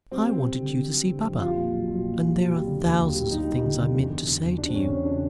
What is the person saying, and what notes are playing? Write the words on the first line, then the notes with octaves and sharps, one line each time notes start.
"I wanted you to see Baba, and there are thousands of things I meant to say to you."
G3 C4
G3
G3
D3
D3
G3
D3
F2
G3 F4
A#2
B1
B1
A#2
G3
B1
G3
D3
D#2
D#2
G3
G3 D#4
G3
D3
D3
E2
E2
E2
E2
E2 D4
C4
E2 C#4
E2 C#4
C#3 D4